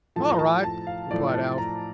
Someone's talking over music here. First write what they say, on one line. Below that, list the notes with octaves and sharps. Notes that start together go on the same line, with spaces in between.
"All right," replied Alf.
A2 F3 A3 A5
A#5
A5
A5
F5
A2 F3 A3 D5
A5
A#5